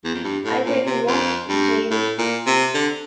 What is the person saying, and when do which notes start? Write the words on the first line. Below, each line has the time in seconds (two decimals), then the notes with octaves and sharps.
I'll tell you what, Jeeves.
0.04 E2
0.14 F2
0.24 G2
0.45 A2
0.66 A#2
0.86 C3
1.07 F2
1.49 G2
1.91 A2
2.18 A#2
2.46 C3
2.74 D3